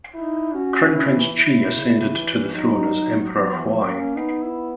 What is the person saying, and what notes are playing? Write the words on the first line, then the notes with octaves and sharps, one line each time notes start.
Crown Prince Chi ascended to the throne as Emperor Huai.
D#4 E4
C#4 F#4
C#4 E4
E3
E4
B2
C#3
E3
F#3 D#4
F#3 B3
E3
F#3 A#3
C#4
B3 D#4
E4